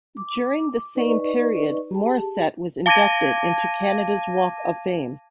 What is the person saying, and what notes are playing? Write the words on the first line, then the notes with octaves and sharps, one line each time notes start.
During the same period, Morissette was inducted into Canada's Walk of Fame.
D6
D#4 B4 D5 D#5 C#6
G4 G#4 A5
F5 A5 D6 G#6 A#6 D#7